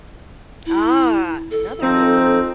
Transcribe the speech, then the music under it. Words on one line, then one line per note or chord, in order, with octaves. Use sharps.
Ah, another good one.
E4
A4
F3 C4 D#4